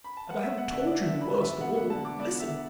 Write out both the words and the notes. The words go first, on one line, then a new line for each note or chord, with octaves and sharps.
And I haven't told you the worst of all. Listen!
B5
A5
F#5
B3 E5
F#5
D3 E5
D5
D3 E5
B5
E1
E5
B3 F#5
F#5
D3 A5
D6
B3 D5
E5